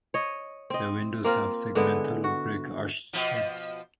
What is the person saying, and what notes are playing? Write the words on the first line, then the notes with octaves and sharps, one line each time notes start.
The windows have segmental brick arched heads.
C#5 D#5
C4 D#5
A#3 C4 F4 A#4
D3 G#3 B3 E4
F#4
B2 F3